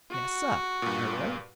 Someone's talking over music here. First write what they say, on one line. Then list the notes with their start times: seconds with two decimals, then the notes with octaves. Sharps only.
"Yes, sir, I will."
0.11 F#4
0.82 G2 A#2